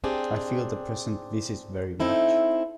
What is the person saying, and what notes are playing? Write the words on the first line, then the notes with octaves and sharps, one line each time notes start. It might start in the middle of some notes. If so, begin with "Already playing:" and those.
I feel the present visit very much.
C4 D4 G4 G#4
C4 D#4 E4 A4